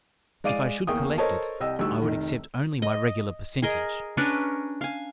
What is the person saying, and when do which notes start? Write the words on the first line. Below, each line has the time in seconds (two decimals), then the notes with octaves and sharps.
If I should collect it, I would accept only my regular percentage.'
0.44 G#3 D5 F5 D6 D#7
0.87 E2 A#3 G#4 G5 C#6 D#6
1.18 A4 A#4 C5 C#5 D#5 A5
1.60 C2 D#5 G5 E6
1.79 D2 G3 D#4 C#6 E6
2.02 F1 D#3
2.82 D#5
3.62 G#4 A#4 D#5
4.17 C#4 D4 A#4 B4
4.81 F5 G#5